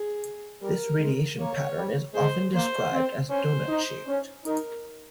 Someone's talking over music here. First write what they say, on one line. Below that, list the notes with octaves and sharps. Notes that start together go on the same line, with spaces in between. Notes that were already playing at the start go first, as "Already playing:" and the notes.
This radiation pattern is often described as "doughnut shaped".
Already playing: G#4
G3 A#4
G#3
A#3 C#5
G3
G#3 C5
A#3 C5
C4
C#4 C5
D#4
C#4
D#4 A#4